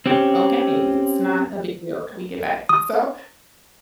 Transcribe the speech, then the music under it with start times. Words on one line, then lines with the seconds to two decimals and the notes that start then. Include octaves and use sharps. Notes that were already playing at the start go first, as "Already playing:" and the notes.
okay, it's not a big deal that we get back, so,
0.06 C4 C#4 G4
2.69 D#6